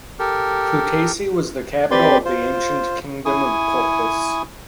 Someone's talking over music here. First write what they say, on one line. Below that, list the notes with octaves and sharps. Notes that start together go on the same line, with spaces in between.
Kutaisi was the capital of the ancient Kingdom of Colchis.
G4 A4 A#4
C4 G4 B4 D5 G5 C6
F4 C5
E4 G#5 C#6 D#6